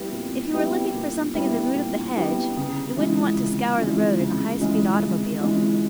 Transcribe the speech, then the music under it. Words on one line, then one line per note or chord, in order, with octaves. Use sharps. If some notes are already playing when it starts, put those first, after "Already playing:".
'If you were looking for something in the root of the hedge, you wouldn't want to scour the road in a high-speed automobile.
Already playing: G3 B3 E4 G4
A#2
G3 B3 E4 G4
A#2
G3 B3 E4 G4
A#2
G3 B3 E4 G4
C#3
E3 G#3 C#4 F4
C#3
E3 G#3 C#4 F4
C#3
E3 G#3 C#4 F4
C#3
E3 G#3 C#4 F4